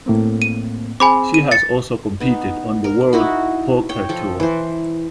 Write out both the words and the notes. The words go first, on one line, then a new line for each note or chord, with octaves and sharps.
She has also competed on the World Poker Tour.
A2 A#3 C4
D#7
C4 G#4 G#5 B5 D6
D#7
A6 C#7
B3 D#4
A#4
D#4 E4 F#4
C#5 G5
F3 A4
E3 C5